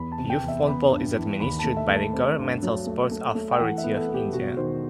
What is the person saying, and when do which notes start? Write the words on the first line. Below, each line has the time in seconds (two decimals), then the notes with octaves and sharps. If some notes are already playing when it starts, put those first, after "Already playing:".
Youth football is administered by the governmental Sports Authority of India.
Already playing: E2 B5
0.12 A5
0.18 C3
0.30 G5
0.42 E2
0.48 E5
0.67 B3 B5
0.91 G2
1.16 E3
1.39 D#2 B5
1.59 A5
1.64 A3
1.77 E5
1.89 A3
1.96 A5
2.13 C4
2.38 G2
2.63 F#3
2.86 A3
3.11 A3
3.35 A3
3.52 G5
3.59 E3 F#5
3.78 E5
3.84 B3
3.96 A4
4.09 B3
4.14 G4
4.33 E1 F#4
4.57 D#3 C5